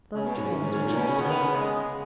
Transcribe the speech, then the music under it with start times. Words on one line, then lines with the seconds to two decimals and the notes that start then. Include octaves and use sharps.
Both trains were just starting.
0.15 C#3 C#4
0.26 B2
0.37 G#2
0.50 F#2
0.61 G#2
0.73 G#2
0.86 A#2
0.97 B2
1.08 C#3
1.20 C#3 B3
1.30 D#3
1.40 C#3
1.56 G#3